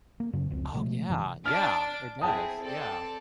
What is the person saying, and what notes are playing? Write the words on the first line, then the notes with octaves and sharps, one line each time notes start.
Oh, yeah, yeah, it does, yeah.
A#3
F#2 C#3 C#4
F1 C#2 C4
B2 F3 G#3 A3
F#2 C3 E3
D4 F6 D7
C4 E4 G#4 G5 A5 D#6
C4 A4 D5